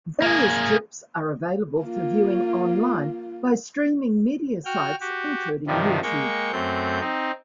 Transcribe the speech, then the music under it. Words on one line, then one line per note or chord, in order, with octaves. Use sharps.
Various clips are available for viewing online by streaming media sites, including YouTube.
A#3 G#4
A#3 F4
F#4 G5 F6
F#4 G4
G2 C3 D#3 F3 G3
G#3 A#3 G5 C#6
F#2 A3 C4 G6
C4 D#4